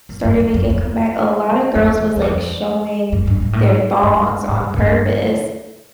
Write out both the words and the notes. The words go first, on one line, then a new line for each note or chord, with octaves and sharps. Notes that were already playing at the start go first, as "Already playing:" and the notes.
started make a comeback, a lotta girls was, like, showing their thongs on purpose
F#2
G2
F#2
F#2
F2
F2
E2
E2
F2
F#2
G2
G#2
A2
G#2
G2
G2
G#2
F#2
G2